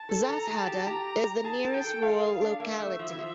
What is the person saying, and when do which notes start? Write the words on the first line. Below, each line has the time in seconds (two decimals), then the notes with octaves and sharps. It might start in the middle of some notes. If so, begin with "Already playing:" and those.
Zhazhada is the nearest rural locality.
Already playing: A5
0.09 A4
0.29 A4 A#5
0.47 G#4
0.57 A5
0.67 G4
0.86 G4 A#5
1.44 G#4 A5
1.64 A#4
1.74 G#4 G5
1.84 A4
2.02 A4 F5
2.21 G#4
2.41 D4
2.60 A#3 E5
2.80 A3
2.99 F3
3.10 E3
3.18 F3